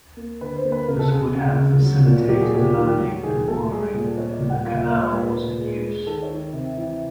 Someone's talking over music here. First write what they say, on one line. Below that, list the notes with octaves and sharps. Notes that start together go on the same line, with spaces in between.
This would have facilitated loading and mooring when the canal was in use.
A#3
D3 B4
C5
A#3
B4
C#3 A#4
A4
C#3 G#4
C#3
C#3
F#3
A#2
F#3 G4
G#4
A#2 G4
D#3
F#3
D#3 G#4
A3 A4
G3 G#4
A#2 G#4
A4
A#2 C#5
D5
G3
F#5
A#2 F5
E5
A#3 D5
C#5
A#2 B4
A#2
G#3
G#3
D#3 A4
C#5
D#3
C3
E3